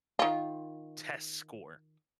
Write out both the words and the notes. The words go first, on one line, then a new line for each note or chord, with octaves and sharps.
test score,
D#3 F4